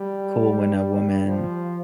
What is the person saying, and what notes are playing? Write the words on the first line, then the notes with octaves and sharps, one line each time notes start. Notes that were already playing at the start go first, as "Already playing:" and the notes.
cool when a woman
Already playing: G3
F3